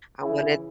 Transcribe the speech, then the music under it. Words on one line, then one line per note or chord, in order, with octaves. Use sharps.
I wanted
C#3 E4
E3